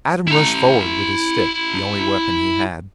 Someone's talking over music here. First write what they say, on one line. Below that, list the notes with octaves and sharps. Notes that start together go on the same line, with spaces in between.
Adam rushed forward with his stick, the only weapon he had.
E4 A#5